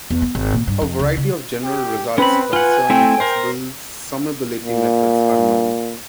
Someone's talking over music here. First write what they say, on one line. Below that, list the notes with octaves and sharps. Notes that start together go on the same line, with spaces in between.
A variety of general results concerning possible summability methods are known.
E2
B3
G#1
A#2
G2
F2
C#2
C#3
G4
C4 C#4 B4 B5
F4 F#5 G#5
A3 C4 E4 G5
A#4 C5
A#2